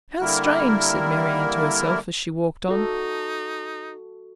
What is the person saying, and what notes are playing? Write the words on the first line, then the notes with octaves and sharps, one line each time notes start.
"How strange!" said Marianne to herself as she walked on.
D3 G3 A#3 E4 A#4
D#4 F#4 A4